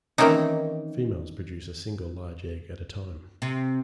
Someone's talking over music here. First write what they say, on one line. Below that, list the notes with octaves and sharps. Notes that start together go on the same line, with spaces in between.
Females produce a single large egg at a time.
D#3 E3 A#3 C4 C#4 D#4
C3